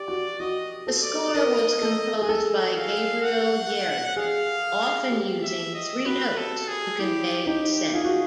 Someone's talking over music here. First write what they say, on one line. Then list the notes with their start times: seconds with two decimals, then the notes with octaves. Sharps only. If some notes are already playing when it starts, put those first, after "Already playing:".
The score was composed by Gabriel Yared, often using three notes to convey ascent.
Already playing: G4 D5
0.08 F#4
0.40 F#4 D#5
0.87 A4
1.03 D5
1.34 A#4 D#5
1.82 A4
2.22 G#4
2.29 A4
2.76 F5
3.23 F#5
4.16 G#4 F5
5.11 G4
5.43 E5
5.75 D#5
6.05 F#4 B4
6.37 A4
6.68 G#4
6.99 E4 G4
7.47 D#4 G4
7.94 F4 G#4
8.04 F#4